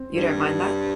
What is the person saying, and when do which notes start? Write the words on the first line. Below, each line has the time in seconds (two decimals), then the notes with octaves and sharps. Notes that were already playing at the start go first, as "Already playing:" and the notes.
You don't mind that?
Already playing: C4
0.15 G2